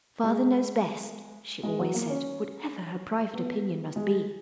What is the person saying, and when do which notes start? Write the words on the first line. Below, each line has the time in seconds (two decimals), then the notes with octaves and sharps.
'Father knows best,' she always said, whatever her private opinion must be.
0.23 G#3
1.63 G#3
1.79 F#3
1.94 A#3
2.10 C#4
3.34 B3
3.96 G#3